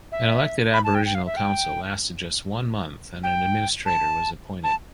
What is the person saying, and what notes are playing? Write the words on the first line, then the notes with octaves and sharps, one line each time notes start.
An elected Aboriginal council lasted just one month and an administrator was appointed.
E5
B5
A5
G5
G5
F5
E5
G5
G5
A5
A5